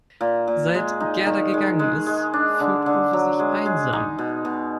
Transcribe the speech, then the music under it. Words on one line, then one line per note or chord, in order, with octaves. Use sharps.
Seit Gerda gegangen ist, fühlt Uwe sich einsam.
A#2
A#2
G#3
D#4
D#3
G#3
G#3
G#3
D4
D3
D3
F#3
G#3
G#3
D#4
B2
B2